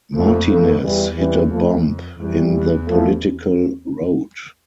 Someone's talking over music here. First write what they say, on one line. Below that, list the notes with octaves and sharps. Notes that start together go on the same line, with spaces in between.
Martinez hit a bump in the political road.
F2 F3 A3
F3 A3
E2 E3 G3
E3 G3
F3 A3
F2
F2 E3 G3
E2
F3 A3